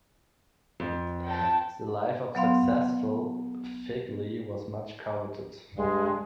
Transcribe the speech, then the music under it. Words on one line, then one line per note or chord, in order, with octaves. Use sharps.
The life of successful "figlie" was much coveted.
F2
G5 A5
F#3 B3 F5 C6
G2 G#3